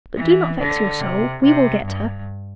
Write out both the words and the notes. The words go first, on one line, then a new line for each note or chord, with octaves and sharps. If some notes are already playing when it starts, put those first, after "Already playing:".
But do not vex your soul; we will get her.
E3
D3
C3
C3
G2